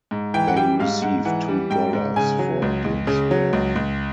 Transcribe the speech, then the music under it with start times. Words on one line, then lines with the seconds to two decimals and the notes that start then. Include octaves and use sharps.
They received two dollars for a day's work.
0.11 G#2
0.34 E3 G5
0.48 F#5
0.57 G3 G5
0.80 G#2 F5
1.02 G#2 F#5
1.25 E3 F#5
1.48 G3
1.70 G#2 G5
1.93 G#2
2.16 C#3 G#5
2.39 F#3
2.62 C#2
2.84 C#2
3.07 C#3
3.31 F#3
3.53 C#2
3.76 C#2